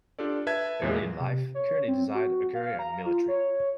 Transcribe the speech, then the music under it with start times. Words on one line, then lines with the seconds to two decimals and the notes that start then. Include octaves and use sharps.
Early in life, Kearny desired a career in the military.
0.19 D4 F4 G4 A4 D5
0.47 B4 E5 A5 G#6
0.82 E2 A#2 G#3
1.19 C3
1.54 C#5
1.88 C4
2.15 F#4
2.54 F5
2.79 A#5
3.06 F4
3.28 C#5